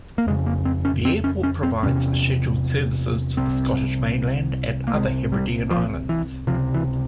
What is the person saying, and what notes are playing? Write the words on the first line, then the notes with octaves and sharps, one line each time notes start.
The airport provides scheduled services to the Scottish mainland and other Hebridean islands.
A#3
F2 C#3 G#3
A#3
C4
C#4
C4
C#4
C#4
C4
E2 C3 C#4
C2 C3 C4
A#3
C2 C3 G#3
G3
F3
E3
C#2 C3 F3
E3